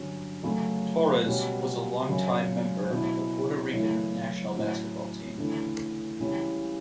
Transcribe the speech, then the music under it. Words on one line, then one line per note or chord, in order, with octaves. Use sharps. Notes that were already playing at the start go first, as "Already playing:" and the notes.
Torres was a longtime member of the Puerto Rican national basketball team.
Already playing: G2 D3 F#3 C#4
F#2 C#3 F#3 A3
B2 G3 C#4 F#4
F#2 C#3 F#3 C#4
B2 F#3 C#4 E4
F#2 C#3 E3 A3 E4
A2 F#3 C#4 E4
D2 C#3 E3 A3
C#2 C#3 E3 G3 C#4